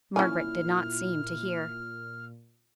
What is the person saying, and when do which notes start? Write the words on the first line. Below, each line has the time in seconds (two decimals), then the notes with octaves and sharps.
Margaret did not seem to hear.
0.16 A#2 C#4 E4 G#5 F6